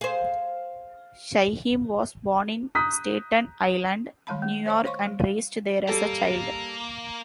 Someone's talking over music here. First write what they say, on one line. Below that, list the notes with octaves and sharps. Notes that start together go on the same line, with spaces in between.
Shyheim was born in Staten Island New York and raised there as a child.
G#4 C5 F5
A#5 D#6 F#6 G6 B6
D#3 G3 G#3 F5 A5 B5
A3
C5 C#5 D#5 E5 C#6
C5 C#5 F5 C6 C#6
G3
F5
G3 A#3 A4